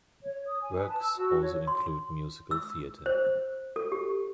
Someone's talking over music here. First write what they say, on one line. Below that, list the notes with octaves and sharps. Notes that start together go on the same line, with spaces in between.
Works also include musical theatre.
C#5
D#6
G#5
B4
A5
E6
F#4
C#5
C6
E6
C5
A4
G4